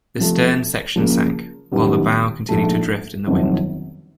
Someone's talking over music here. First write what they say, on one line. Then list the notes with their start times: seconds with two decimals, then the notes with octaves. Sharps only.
The stern section sank, while the bow continued to drift in the wind.
0.18 C3 F3 A3
0.96 C#3 F3 A#3
1.72 F#2 D#3 G3 B3 E4
2.49 A#1 G#2 F3 A3
3.27 G1 F2 C3 D#3 F#3